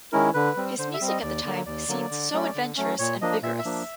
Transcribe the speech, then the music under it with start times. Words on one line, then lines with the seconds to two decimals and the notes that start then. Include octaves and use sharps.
His music at the time seemed so adventurous and vigorous.
0.12 D#3 G#3 C#4 E4 A#4
0.34 D3 B4
0.57 G3 C4
0.79 D3 C5
0.94 E5
1.01 G3 C4
1.08 D#5
1.23 D#2 D5
1.45 D3 F#3 A#3
1.66 D#2 D5
1.88 D3 F#3 A#3
2.11 D3
2.32 F#3 A3 C#4
2.55 D3
2.77 F#3 A3 C#4
2.99 A#2 C#5
3.21 F3 A#3 D4 D#5
3.43 A#2 E5
3.59 E5
3.65 F3 A#3 D4